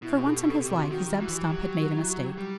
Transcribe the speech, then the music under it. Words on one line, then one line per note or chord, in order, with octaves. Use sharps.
For once in his life, Zeb Stump had made a mistake.
B2 E4
G4
A4
G4
A4
C3 G4
F#4
D#3 F#4
G4
E3 F#4
G4
F#3 G4
G4
F#4
E4
F#4
G4
G3 G4